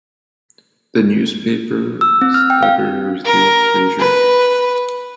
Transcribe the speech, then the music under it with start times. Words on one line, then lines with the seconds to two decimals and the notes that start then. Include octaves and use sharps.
The newspaper's editor is Gill Fraser.
2.01 E6
2.21 C4
2.34 F6
2.50 G5
2.63 F5
3.25 A#4
4.00 B4